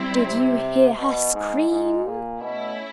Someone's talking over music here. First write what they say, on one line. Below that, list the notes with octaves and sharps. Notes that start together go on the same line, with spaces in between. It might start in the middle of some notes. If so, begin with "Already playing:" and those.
Did you hear her scream?
Already playing: G3 C4 E4
C3
B2
G#2
G#2
A#2
B2 A3 C#4 E4